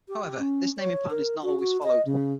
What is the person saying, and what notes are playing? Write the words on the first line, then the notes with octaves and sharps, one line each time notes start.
However, this naming pattern is not always followed.
G4
C#4
C#5
A#4
F#4
F#4
D#5
C#3